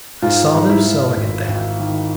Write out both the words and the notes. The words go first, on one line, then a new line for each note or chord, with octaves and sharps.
I saw them selling at that.
G#2 F4
G#2
E4
G#2
G#1
G#1
D#3